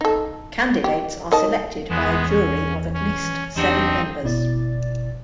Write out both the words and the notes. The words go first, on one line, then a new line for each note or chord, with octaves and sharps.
Candidates are selected by a jury of at least seven members.
D#4 A4
G4
D#3 D#5 A5
E2 E3 G#3 B3
C#4
C#4
E2 C4 D4 D#4 G4 F#5
G1 B2 E4 D5 A6